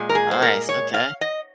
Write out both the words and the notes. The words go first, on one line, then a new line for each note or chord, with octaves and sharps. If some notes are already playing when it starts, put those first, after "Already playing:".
Nice, okay.
Already playing: A#2 G#3
A#4
G#4
C5
A#4
C#5
F5
D#5